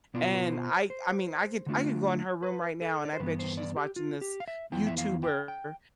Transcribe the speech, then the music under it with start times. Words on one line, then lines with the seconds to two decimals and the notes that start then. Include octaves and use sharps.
And I I mean, I could I could go in her room right now and I bet you she's watching this YouTuber
0.14 B2 B3 F4 D5
0.24 C5
0.34 B4
0.44 C5
0.90 C5
1.66 D3 A3 D4 F4
2.43 B4
2.81 A4
3.05 D5
3.13 C5
3.19 G2 E3 B3 B4
3.39 C5
3.57 D5
3.77 G4
3.96 F4
4.21 G4
4.40 F5
4.48 E5
4.72 F2 E3 B3 E4 G5
4.87 E5
4.98 F5
5.23 G5
5.48 G5